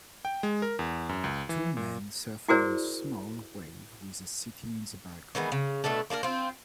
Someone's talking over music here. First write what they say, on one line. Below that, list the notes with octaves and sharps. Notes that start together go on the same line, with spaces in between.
Two men surf on a small wave with a city in the background.
G5
G#3
A#4
E2
F#2
C#2
E3
A#2
E4 F#4 G#4 A#4 C5 D5
D#3 E3 G#3 B3
C#3
B2 A3 D4 A4
A#3 D4 A4 A#4
C4 F4